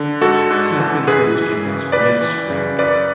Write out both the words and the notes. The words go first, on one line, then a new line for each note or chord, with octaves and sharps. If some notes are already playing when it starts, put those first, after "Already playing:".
Snap introduced him as Rance Rankin.
Already playing: D3
G#2 F#4 A4
G#2
E3
F#2 G#4 B4
E3
C#3
C#2 B4 D5
E3
C#3
F#2 B4 D5